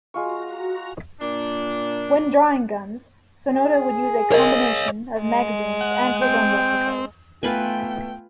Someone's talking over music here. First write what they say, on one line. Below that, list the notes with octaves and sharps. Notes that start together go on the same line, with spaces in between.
When drawing guns, Sonoda would use a combination of magazines and his own replicas.
G#3 F4 F#4 A#5 C#6
A#2 D4
G#4
A#4 C#5 D#5
G#3
F#5
C4 G5
A3 B3 F4 B4 G5 G#5